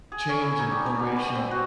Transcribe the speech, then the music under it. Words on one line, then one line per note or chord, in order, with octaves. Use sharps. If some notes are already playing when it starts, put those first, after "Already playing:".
change in formation
G#4
C#4
E4
D#4
G3
G3
B2
G3
C4
F#4